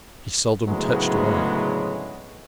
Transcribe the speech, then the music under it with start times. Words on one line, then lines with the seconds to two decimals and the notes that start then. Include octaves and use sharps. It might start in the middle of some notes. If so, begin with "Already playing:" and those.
He seldom touched wine.
0.67 D2 A2 C#3 F#3 G#3 B3